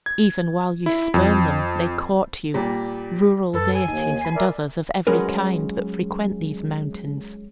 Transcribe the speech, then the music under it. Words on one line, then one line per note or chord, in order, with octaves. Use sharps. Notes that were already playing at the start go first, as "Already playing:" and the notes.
Even while you spurn them, they court you,--rural deities and others of every kind that frequent these mountains.
G#6
E4
F2
A#2 G3
F#2 A4 B4
G#5
D#2 D#4
B5 C7
A#4 D5 E5
F#3 G#3 C#4 G#4 A#4 B4